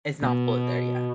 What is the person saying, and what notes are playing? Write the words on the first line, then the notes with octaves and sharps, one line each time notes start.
It's not fully there yet.
B2